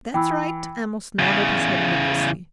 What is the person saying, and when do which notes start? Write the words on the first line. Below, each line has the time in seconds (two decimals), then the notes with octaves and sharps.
"That's right," Amos nodded his head vigorously.
0.14 E3 G5 B5 E6
1.19 E2 C#3